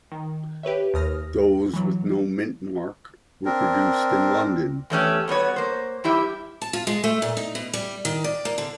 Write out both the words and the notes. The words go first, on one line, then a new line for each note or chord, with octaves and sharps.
Those with no mint mark were produced in London.
D#3
G4 B4 C#5 E5
D#2 D#6 F6 A#6
E3 F#3
C4 D4 A#4
E2 A3 C#4 G4
G3 B3 F#4 C#5
A#3 C5
G2 E4 G4 E5
A5
F4
G#3
A3
A#2
D#4
B2
G3
D#3
D5
A#3
D3